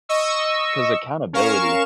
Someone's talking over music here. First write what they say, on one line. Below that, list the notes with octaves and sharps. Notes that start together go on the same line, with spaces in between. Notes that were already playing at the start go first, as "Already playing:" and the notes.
'cause accountability
D#5 C#6 E6
C#4 A#4 F5 C#6 E7